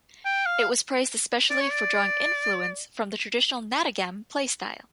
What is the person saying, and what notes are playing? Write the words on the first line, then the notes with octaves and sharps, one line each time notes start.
It was praised especially for drawing influence from the traditional "nadagam" play style.
G5
F5
D5
C#5
D5